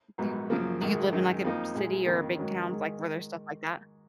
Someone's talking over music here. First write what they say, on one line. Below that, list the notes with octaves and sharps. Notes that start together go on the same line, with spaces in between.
Do, uh do you live in, like, a b city or a big towns, like, where there's stuff like that?
A#1 G#2 F#3 B3
F#2 C#3 F3 A#3
A#1 G#2 D#3 G#3
F#2 D#3 G#3 D#4
F2 F3 A#3 D#4
A#1 A#2 G#3
F2 D#3 A#3
G#2 D#3 F#3 C#4
G#2 D#3 G#3